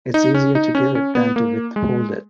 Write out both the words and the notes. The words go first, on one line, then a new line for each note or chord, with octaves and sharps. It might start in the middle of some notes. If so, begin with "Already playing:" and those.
It's easier to give it than to withhold it.
D#4
C#4
D#4
C#4
C#4
B3
A#3
G#3